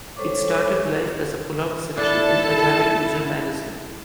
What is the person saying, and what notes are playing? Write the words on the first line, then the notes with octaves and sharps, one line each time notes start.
It started life as a pull-out section in "Atari User" magazine.
G3 A4 C5 C#5 C#6 D6
D4 E4 A4 A5